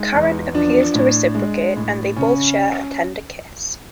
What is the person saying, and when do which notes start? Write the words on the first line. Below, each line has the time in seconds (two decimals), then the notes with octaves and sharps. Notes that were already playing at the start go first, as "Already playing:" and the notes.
Karen appears to reciprocate and they both share a tender kiss.
Already playing: G#3 D#4
0.15 E2
0.55 F3 D4
0.95 A2
1.35 G#3
1.76 A2
2.16 C#3 C#4